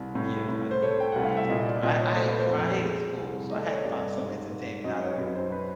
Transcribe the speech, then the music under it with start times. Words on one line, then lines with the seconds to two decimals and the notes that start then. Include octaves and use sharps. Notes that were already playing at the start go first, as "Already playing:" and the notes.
Yes, I did, I actually enjoy I I remember I hated school, so, I had to find some entertainment out of it.
Already playing: C2
0.15 A2
0.48 A2
0.71 C5
0.82 A3 C#5
1.00 G5
1.12 C2 F#5
1.25 F5
1.37 E5
1.49 A#2 D#5
1.66 D5
1.83 A#2 D#5
2.00 C#5
2.16 A3 C5
2.27 B4
2.39 C5
2.49 F2
2.84 G#3
3.17 C2
3.50 A3 D#5
3.61 D5
3.72 C#5
3.82 G2 D5
4.18 G#2
4.51 G#2
4.84 F#2 D#5
5.02 C#5
5.18 F#2 B4
5.35 C5
5.52 B4